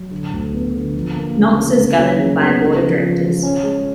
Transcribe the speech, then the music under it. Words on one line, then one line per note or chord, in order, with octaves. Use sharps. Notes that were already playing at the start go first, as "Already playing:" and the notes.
Knox is governed by a Board of Directors.
Already playing: F#3
D3
D2
B3
D3
F3
A#3
C#3
A#3
C#3
F#3
C#3
B3
C#3
F3
F3
F3
C#4
G#3